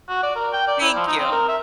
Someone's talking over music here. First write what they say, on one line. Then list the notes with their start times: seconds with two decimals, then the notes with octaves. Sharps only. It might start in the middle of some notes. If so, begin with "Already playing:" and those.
Thank you.
0.09 F#4
0.23 D5
0.36 A#4
0.53 G5
0.67 D5
0.81 E4
0.96 F3
1.07 D#4
1.19 C4
1.32 A#4
1.48 E5